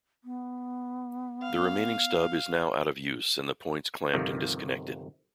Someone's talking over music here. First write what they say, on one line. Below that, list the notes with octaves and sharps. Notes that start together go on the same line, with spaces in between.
The remaining stub is now out of use and the points clamped and disconnected.
B3
F5
G1 C3 D#3 F3